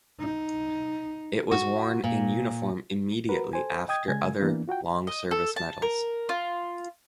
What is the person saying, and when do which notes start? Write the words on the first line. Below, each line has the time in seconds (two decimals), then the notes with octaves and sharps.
It was worn in uniform immediately after other long service medals.
0.20 D#4
1.51 F#4
2.04 A#2
3.29 F#4 A#4 B4
3.53 A4 C5 G#5
3.88 D#5 G5 D#6 G#6
4.08 C#3 G#3 G#5 G#6
4.39 E3 A#3 B3 D4
4.68 F4 F#4 F#5 G5
5.07 D#5
5.31 A4
5.56 A5
5.82 A#4
6.29 F4